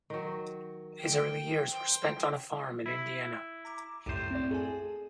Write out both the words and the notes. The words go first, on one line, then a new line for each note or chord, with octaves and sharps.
His early years were spent on a farm in Indiana.
D#3 F#3
G5
C5 G5
E4
A#5 D6
C2 F#2 A2 C5 C6
C4 D5
G#4 A4 G#5